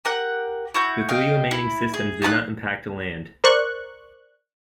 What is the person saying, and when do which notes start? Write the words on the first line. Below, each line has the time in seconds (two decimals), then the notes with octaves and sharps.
The three remaining systems did not impact land.
0.05 G4 A#4 F#5
0.74 E4 F#4 G6
1.09 D#5 F5 G5
1.51 E4
1.94 G#4
2.22 D#4 F4 B5 F#6
3.44 A#4 C5 D5 C#6 F#6